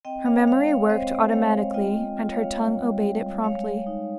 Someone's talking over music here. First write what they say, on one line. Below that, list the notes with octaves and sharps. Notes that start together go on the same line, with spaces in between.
Her memory worked automatically, and her tongue obeyed it promptly.
C4 D#5 G5
C#5 F5
G#3 C#5 F5
C#5 F5
C4 C5 D#5
G#3 C#5 F5
F4 D#5 G5
F4
C#5 F5
G3
G3
G#3 C#5 F5
D#4